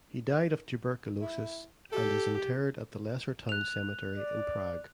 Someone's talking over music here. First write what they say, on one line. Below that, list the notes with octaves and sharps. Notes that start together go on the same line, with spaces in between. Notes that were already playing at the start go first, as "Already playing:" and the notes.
He died of tuberculosis and is interred at the Lesser Town Cemetery in Prague.
E4
G4 A4
F#6 F7
D5